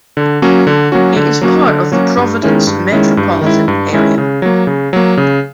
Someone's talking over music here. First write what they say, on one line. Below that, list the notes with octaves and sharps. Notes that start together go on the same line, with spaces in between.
It is part of the Providence metropolitan area.
D3
F#3 A#3 C#4 F#4
D3
F#3 A#3 C#4 F#4
D3
F#3 A#3 C#4 F#4
D3
F#3 A#3 C#4 F#4
G2
D#3 G#3 C#4 E4
G2
D#3 G#3 C#4 E4
G2
D#3 G#3 C#4 E4
G2
D#3 G#3 C#4 E4
C#3
F#3 A#3
C#3
F#3 A#3
C#3